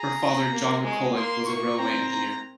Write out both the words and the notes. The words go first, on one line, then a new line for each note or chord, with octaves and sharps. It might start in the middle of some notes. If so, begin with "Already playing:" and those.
Her father, John McCulloch, was a railway engineer.
Already playing: G#4 A#5
A#3
G#3
A#3 C6
C#6
C4 A#5
A#5